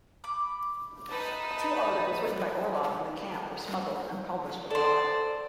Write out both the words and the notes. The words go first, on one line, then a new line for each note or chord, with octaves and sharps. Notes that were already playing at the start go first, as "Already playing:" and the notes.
Two articles written by Orlov in the camp were smuggled and published abroad.
B5 D6
D#4 B4 A5
A4 C5 D5